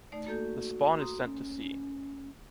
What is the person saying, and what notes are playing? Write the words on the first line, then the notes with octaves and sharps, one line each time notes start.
The spawn is sent to sea.
A3 D#4 D5
A#3 F#4 A4 G6
A#5 C6 D#6
C#4